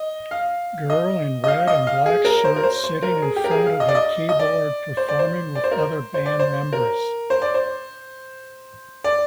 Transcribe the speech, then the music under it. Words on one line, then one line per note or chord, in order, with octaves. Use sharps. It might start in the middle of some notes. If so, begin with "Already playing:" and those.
Girl in red and black shirt sitting in front of a keyboard performing with other band members.
Already playing: D#5
F5
D#5
D#5
F5
D#5
F5
G#4
A#4
C5
A#4
C5
C5
A#4
G#4
G4
A#4
G#4
F5
D#5
D5
D#5
D#5
D5
C5
D5
C5
D5
C5
A#4
C5
C5
D5
C5
A#4
C5
D5
C5
D5